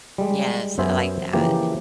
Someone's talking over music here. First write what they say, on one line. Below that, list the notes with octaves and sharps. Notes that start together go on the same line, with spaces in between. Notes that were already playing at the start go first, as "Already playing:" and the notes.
Yes, I like that.
G3 G#3
F#2 B3 C5 E5 G#5
C#3 E3 F3 A#3 G4